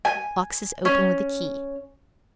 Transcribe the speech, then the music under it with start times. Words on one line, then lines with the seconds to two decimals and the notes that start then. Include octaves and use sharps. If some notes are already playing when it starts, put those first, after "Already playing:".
Boxes open with a key.
0.05 G#5
0.85 C#4